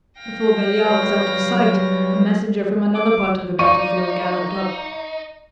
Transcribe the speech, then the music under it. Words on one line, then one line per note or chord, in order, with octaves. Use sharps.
Before Belliard was out of sight, a messenger from another part of the battlefield galloped up.
F5 G5 A#6
G3 B4 C#5
F#3
D6
D#4 D5 F5 C#6 D#7